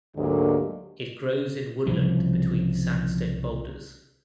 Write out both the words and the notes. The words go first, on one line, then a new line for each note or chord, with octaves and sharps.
It grows in woodland between sandstone boulders.
D2 G#2 D3 F#3 A#3 G4
C2 C#3 E3 F3